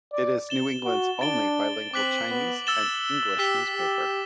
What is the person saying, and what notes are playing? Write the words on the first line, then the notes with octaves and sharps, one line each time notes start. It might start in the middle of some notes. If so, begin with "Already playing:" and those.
It is New England's only bilingual Chinese and English newspaper.
D5
A6 E7 G7
F#4
D4 A6 D7 G7
C4 D6 F#6 B6 F#7
B3
E6 A6 E7 G7
G4 E6 B6 E7 G7
G4